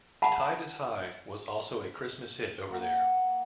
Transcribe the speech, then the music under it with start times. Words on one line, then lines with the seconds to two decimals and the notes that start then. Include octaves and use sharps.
"The Tide Is High" was also a Christmas hit over there.
0.22 F#5 A5 B5
2.69 A#3 F#5